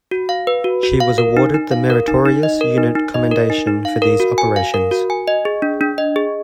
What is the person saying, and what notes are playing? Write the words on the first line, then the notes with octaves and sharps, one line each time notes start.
She was awarded the Meritorious Unit Commendation for these operations.
F#4
F5
B4
F#4
F#4
F5
A#4
D#4
D#4
F5
A#4
D#4
D#4
D#5
A#4
D#4
D#4
D#5
A#4
D#4
D#4
F5
A#4
F#4
G#5
F5
A#4
F#4
G#5
D#5
G#4
D4
D4
D#5
G#4